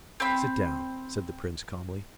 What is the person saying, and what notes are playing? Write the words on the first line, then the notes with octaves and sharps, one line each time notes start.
"Sit down," said the Prince calmly.
C4 B5